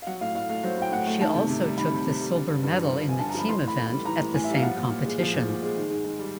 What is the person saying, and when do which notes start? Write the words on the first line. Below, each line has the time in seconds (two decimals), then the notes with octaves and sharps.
She also took the silver medal in the team event at the same competition.
0.02 F5
0.07 F#3 F#5
0.21 A2 F5
0.35 A2 F5
0.50 A3 F5
0.63 F#3 C5
0.78 A2 G5
0.92 A2 F#5
1.07 A3
1.21 D#3 A5
1.35 C3
1.49 C3
1.64 G3
1.78 D#3 B5
1.92 C3
2.06 C3
2.21 G3
2.35 D3
2.49 G2
2.63 G2
2.78 F3
2.91 D3
3.06 G2 G#5
3.19 G2 A5
3.29 A#5
3.35 F3 B5
3.48 E3 C6
3.63 A2 B5
3.78 A2
3.86 B5
3.91 G3
4.05 E3 A#5
4.20 A2
4.34 A2 G#5
4.44 E5
4.49 G3 F5
4.63 F3 F#5
4.77 A#2
4.91 A#2
5.05 G#3
5.20 F3
5.34 A#2
5.48 A#2
5.62 G#3
5.76 D#3
5.90 G#2
6.05 G#2
6.19 G3